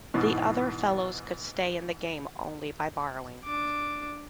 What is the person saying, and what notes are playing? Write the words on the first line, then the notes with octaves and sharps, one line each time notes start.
The other fellows could stay in the game only by borrowing.
G#2 B2 E3
D4 D6